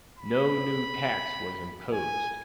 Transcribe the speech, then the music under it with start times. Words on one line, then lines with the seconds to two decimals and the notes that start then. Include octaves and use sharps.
No new tax was imposed.
0.18 B5
1.93 G#5